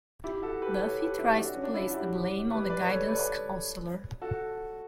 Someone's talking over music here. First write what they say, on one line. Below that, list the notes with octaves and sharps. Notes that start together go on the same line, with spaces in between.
Buffy tries to place the blame on the guidance counsellor.
E4 G4
F#4 A4
G4 B4
A4 C#5
G4 B4
E4 G4
D4 F#4
C#4
D4
E4
F#4
E4 G4
G4 B4
B4 D5
A4 C#5
B4 D5
F#4 A4